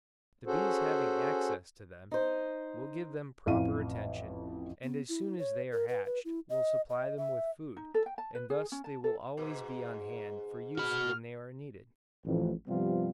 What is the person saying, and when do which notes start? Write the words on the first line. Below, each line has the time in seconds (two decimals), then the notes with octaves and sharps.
The bees having access to them, will give them proper attention, and as soon as they are hatched, will supply them with food, and thus they will always be on hand for use when they are needed.
0.46 C#4 F#4 G#4 A4 C5
2.11 D#4 C5
3.46 A1 F2 E3 F5 D#7
4.83 B3
5.09 E4
5.39 C#5
5.72 A#4
5.88 B4
6.05 B4
6.25 E4
6.50 D#5
6.90 D#5
7.17 E5
7.77 D#4
7.94 A4
8.06 G5
8.18 A5
8.35 B4
8.50 G#4
8.72 C#4
8.84 A5
9.04 A4
9.37 G#2 B2
10.78 F#4 B5 F6
12.25 A1 F2
12.68 G2 C3 F3 G3 B3 F4